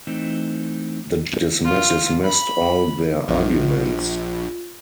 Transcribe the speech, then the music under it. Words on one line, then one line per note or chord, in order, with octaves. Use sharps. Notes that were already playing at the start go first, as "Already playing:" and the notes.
The judge dismissed all their arguments.
E3 A3 C4 D#4
F4
B5
A#1 F4